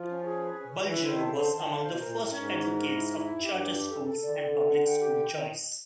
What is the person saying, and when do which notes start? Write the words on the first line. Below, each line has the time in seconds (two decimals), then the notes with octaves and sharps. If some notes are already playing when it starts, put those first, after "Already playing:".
Bulger was among the first advocates of charter schools and public school choice.
Already playing: F3 F4
0.09 C#4
0.25 G#4
0.41 B4
0.56 C#4
0.72 B4
0.80 E3
0.88 E4
0.99 E3
1.03 D#3 C5
1.20 A5
1.27 D3
1.36 C5
1.52 D#3 A5
1.67 D3 F5
1.83 B2 C5
1.98 A#2 A#4
2.14 A2 A#4
2.30 G#2 C#4
2.47 F#4
2.62 F#4
2.77 A#4
2.93 E4
3.10 E4
3.24 F2 E4
3.32 F#2
3.41 G2 G4
3.57 G4
3.72 F2 G4
3.80 F#2
3.89 G2 A4
4.04 A4
4.21 D3 D5
4.30 D#3
4.36 D3 A4
4.53 A4
4.68 F#5
4.84 G5
5.00 G4
5.15 G5
5.31 D#3 D#5